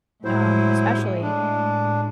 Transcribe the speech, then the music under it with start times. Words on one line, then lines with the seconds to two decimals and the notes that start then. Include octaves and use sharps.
um, especially
0.25 A2 F#3 G#3 E4 C5
1.22 D4